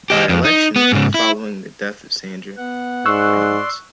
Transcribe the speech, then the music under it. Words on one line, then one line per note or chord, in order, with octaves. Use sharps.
By-election following the death of Sandra Rylance.
G4 D#5
F2
D#4
B3
G#2 C#3
E4
B3 F#5
G#2 D5 C6 C#6 E6 F#6